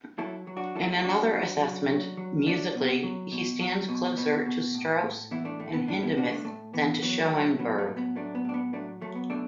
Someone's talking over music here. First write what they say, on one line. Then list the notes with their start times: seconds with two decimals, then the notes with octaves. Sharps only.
In another assessment, Musically, he stands closer to Strauss and Hindemith than to Schoenberg.
0.18 F#3 E4 A4
0.47 F#3
0.57 D4 F#4
0.75 F#3 E4 A4
1.04 F#3 D4 F#4
1.33 F#3
1.61 F#3
1.89 F#3
2.17 F#3
2.46 F#3 A3 D4
2.75 B2
3.03 F#3
3.32 B2
3.60 F#3
3.89 B2
4.17 B2 B3
4.46 B2
4.75 A2
5.03 A2
5.31 E3 B3 E4
5.45 A3 D4
5.59 A2 A3
5.73 B3
5.88 A2 A3 D4
6.02 B3 E4
6.16 A2 D4 F#4
6.31 A3 D4
6.45 A2 A3
6.73 E3 B3
7.02 F#3 B3
7.21 A3
7.31 F#3
7.40 A3
7.59 F#3 B3
7.78 A3
7.88 A2
7.97 B3
8.15 F#3 A3 D4
8.35 B3
8.45 A2 D4
8.54 B3
8.73 F#3 A3 D4
9.01 F#3 A3
9.15 B3
9.30 B2 A3 D4